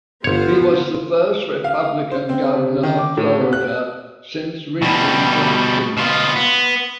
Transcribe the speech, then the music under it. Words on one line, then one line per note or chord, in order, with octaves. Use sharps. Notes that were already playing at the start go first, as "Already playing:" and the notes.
He was the first Republican Governor of Florida since Reconstruction.
G1 B3 F4 C5 C#5
F5
C5
C4
C3
D#3
D6
A2
B3
F#6
B2 G3
B2 F4
B3